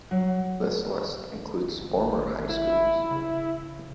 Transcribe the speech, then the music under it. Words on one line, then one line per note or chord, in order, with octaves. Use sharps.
This list includes former high schools.
F#3 F#5
G#1
E4
C#3